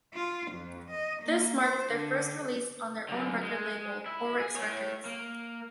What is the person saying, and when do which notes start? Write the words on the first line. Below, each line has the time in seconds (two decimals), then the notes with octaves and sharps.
This marked their first release on their own record label, Orrexx Records.
0.13 F4
0.51 F2
0.90 D#5
1.22 A#3
1.61 C5
1.92 D3
3.09 F#2 D3
3.43 G#3
4.06 E4
4.40 G#4
4.56 A2 C#5
5.05 A#3